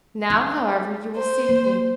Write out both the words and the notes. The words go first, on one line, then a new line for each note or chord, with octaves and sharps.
Now, however, you will seek me.
D#4
C5
A#3